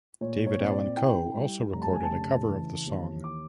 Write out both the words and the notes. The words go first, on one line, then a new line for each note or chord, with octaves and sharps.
David Allan Coe also recorded a cover of the song.
A#2 C#5
C#5
C4
D5
E4 G5
G3
F1 A#5
A5
G#5
A5
C#3
E3
D#2
D6